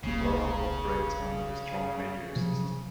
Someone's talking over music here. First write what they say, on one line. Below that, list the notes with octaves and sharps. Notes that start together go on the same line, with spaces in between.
The borough operates under a "strong mayor" system.
E1 C2 C#3 A#3
C3 F3 F#3